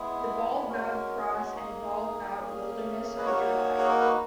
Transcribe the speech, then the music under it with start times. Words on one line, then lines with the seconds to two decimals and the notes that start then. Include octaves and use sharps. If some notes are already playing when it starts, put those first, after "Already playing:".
The Bald Knob Cross and Bald Knob Wilderness are nearby.
Already playing: G#3 B3 E4 G#4
0.69 G#3 C#4 F#4 A#4
1.56 A#3 D#4 G#4
2.41 A#3 C#4 G#4
3.17 B4
3.26 A#3 D#4 F#4 A#4 C#5
3.78 G#4
3.89 A#4
4.01 B4